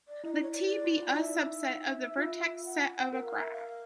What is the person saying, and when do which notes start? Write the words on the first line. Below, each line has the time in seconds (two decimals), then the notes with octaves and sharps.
Let "T" be a subset of the vertex set of a graph.
0.08 D5
0.24 E4 D#5
0.33 D5
0.42 C#5
0.51 D5
0.84 F#4
0.96 F4
1.09 E4
1.20 D#4 E5
2.17 F4
2.65 F#5
3.13 A#4 F#5
3.26 F5
3.39 E5
3.52 F5